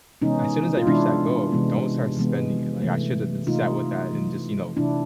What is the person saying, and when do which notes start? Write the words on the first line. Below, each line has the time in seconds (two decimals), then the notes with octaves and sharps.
as soon as I reach that goal, don't start spending it, like, I shoulda just sat with that and just, you know,
0.22 C3 E3 G#3 B3 C#4 D#4
0.77 F4
0.87 C3 E3 G#3 B3 D4 E4
1.52 C3 E3 G#3 B3
2.17 C3 E3 G#3 B3
2.82 C3 E3 A3
3.47 C3 E3 A3 D#4 F4
4.12 C3 E3 A3
4.77 C3 E3 A3 D4 E4